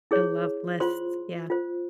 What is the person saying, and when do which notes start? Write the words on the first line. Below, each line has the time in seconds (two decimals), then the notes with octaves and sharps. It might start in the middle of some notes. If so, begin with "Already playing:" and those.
I love lists. Yeah.
0.11 E4 G#4 C#5
0.80 F4 C5 C6
1.50 F4 C5